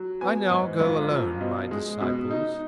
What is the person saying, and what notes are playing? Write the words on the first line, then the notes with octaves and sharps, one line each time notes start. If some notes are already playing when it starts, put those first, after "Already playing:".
I now go alone, my disciples!
Already playing: F#3
B3 G#5
G#2
A#1
F3
B2
G#3
B2
D#4